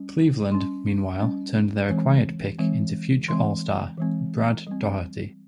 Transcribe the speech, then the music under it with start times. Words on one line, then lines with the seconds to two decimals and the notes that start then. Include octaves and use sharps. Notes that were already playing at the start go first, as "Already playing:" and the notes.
Cleveland, meanwhile, turned their acquired pick into future All-Star Brad Daugherty.
Already playing: G3 C#4
0.51 G3 C#4 C6
1.20 G3 C#4
1.89 E3 G#3 C4
2.59 E3 G#3 C4
3.28 E3 G#3 C4 C6
3.97 E3 G#3 C4
4.67 G3 C4